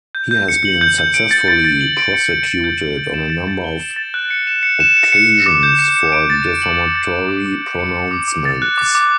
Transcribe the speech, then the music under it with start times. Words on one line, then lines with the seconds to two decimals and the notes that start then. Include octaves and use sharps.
He has been successfully prosecuted on a number of occasions for defamatory pronouncements.
0.15 G6
0.31 G6
0.48 C#7
0.65 F#7
0.81 G6
0.99 G6
1.14 D7
1.31 A6
1.48 A6
1.64 A6
1.81 F#7
1.97 D7
2.14 C#7
2.31 C#7
2.47 G6
2.64 G6
2.80 C#7
2.97 G6
3.14 E7
3.30 A6
3.48 A6
3.64 G7
3.80 E7
3.96 A6
4.14 F#6
4.30 C#7
4.47 E7
4.63 C#7
4.80 E7
4.97 C#7
5.12 C#7
5.30 C#7
5.46 D6
5.63 G6
5.79 C#7
5.97 C#7
6.12 D7
6.30 A6
6.45 A6
6.62 F#7
6.80 F#7
6.96 A6
7.12 E7
7.28 D6
7.46 D6
7.61 G6
7.79 C#7
7.96 C#7
8.11 D6
8.28 D6
8.45 A6
8.62 F#6
8.78 D6
8.95 D6